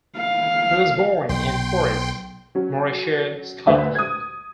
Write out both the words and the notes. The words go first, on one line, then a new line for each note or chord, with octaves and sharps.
He was born in Forres, Morayshire, Scotland.
F5
B1 G5 C6
F#3 C#4
D2 D3 B4 C5 E5
D#6 G#6